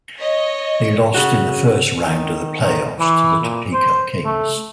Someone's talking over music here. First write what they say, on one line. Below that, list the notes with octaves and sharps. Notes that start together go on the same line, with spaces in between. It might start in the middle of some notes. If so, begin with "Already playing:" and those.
They lost in the first round of the playoffs to the Topeka Kings.
C#5 D#5
C#3 F#4
D#3
D#3
E3
A#2
C5
A3